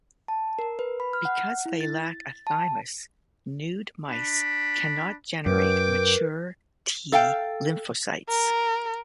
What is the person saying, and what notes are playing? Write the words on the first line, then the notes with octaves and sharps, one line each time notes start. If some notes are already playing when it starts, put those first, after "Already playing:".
Because they lack a thymus, nude mice cannot generate mature T lymphocytes.
A5
A#4
B4
B5
F6
F#5
E4
A6
A5
D4 B5
F#2 A#4 B4 G5 D6
A4 F5 G5
A#4